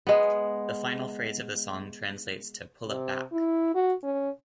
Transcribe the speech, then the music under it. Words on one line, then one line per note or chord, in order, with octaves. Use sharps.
The final phrase of the song translates to "pull it back".
G#3 B3
C3
E4
F#4
C#4